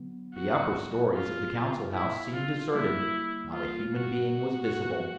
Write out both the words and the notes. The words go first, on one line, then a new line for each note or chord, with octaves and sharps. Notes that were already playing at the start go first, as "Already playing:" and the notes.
The upper storeys of the Council House seemed deserted, not a human being was visible.
Already playing: D3 F#3 B3
F#4
F4
E4
F4
D3 G3 A#3 E4
F4
F#4